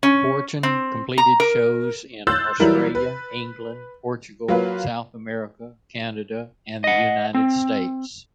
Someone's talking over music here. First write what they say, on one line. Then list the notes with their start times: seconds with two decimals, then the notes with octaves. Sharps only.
Fortune completed shows in Australia, England, Portugal, South America, Canada and the United States.
0.03 C#4
0.63 C4
1.18 A#5
1.40 A#4
2.27 C6 E6 F#6 G6 A6
2.60 E3 F#3 G3 E4 A#4
2.95 B4
4.48 F#3 A#3 F4 B4
6.84 D#5 F#5
7.35 C4